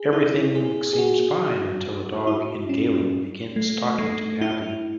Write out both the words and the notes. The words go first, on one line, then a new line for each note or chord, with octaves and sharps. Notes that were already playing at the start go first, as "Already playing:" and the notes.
Everything seems fine until a dog in Galen begins talking to Abbey.
Already playing: G#4
E4
G#4
G#4
F#4
E4
C#4
A3
A3
E4